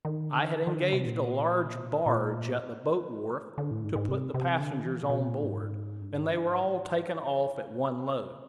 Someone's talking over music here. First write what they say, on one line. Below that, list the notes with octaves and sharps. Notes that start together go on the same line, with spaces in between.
I had engaged a large barge at the boat-wharf to put the passengers on board, and they were all taken off at one load.
D#3
D3
D#3
D#3
D3
C3
A#2
A#2
D3
A2
G#2
G#2
C3
C3
D3
E3
A#2
B2
A#2
G#2
G2
G#2
G2
G#2
A2
G#2
G2
G#2
C3